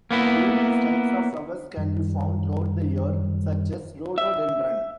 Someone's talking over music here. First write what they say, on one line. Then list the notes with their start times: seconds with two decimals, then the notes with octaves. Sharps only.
Various types of flowers can be found throughout the year, such as Rhododendron.
0.11 A#3 B3 E4
1.77 F#2 D#3 F3 G3
4.18 E5